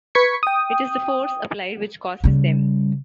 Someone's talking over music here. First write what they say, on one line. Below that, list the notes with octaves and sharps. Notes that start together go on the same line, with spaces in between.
It is the force applied which causes them.
B4 C#6 G#6 B6 C#7
G5 D#6
C#3 G3